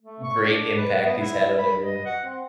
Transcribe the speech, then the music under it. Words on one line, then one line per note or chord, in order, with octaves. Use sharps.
great impact he's had on everyone.
A3
C#6
D4
B4
B3
E4
B5
D#5
F#5
C4